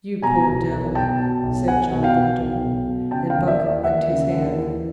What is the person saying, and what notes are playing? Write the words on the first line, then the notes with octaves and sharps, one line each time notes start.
"You poor devil," said John Thornton, and Buck licked his hand.
B2 G#5 A#5
B1
B1
B2 G5 A5
B2
B1
B1 F#5 G#5
B2
F5 G5
B2
B1
B1
B2
C#3 G5 A5
F5 G5
D#2
D5 E5
E3
D5 E5
D#2 E5 F#5
C#3
D#2
E3